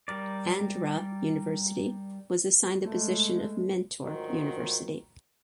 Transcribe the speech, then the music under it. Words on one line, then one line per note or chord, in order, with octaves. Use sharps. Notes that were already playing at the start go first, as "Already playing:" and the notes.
Andhra University was assigned the position of mentor university.
G3 A#4 D5
G#3 A3
D2 G#2 D#3 F#3 F4